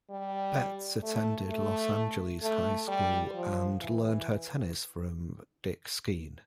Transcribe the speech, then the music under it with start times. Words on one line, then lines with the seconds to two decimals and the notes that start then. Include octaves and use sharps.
Betz attended Los Angeles High School and learned her tennis from Dick Skeen.
0.10 G3
1.03 A3
1.49 A3
2.42 A3
2.88 G3
3.34 F3
3.81 E3